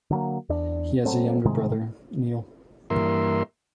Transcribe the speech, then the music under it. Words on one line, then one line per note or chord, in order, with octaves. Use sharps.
He has a younger brother, Neil.
D3 F#3 A#3
E2 D4
F#3 A3 C4
G#2 C3 D#3 G#3
G2 E3 A#3 A#4 E5 C6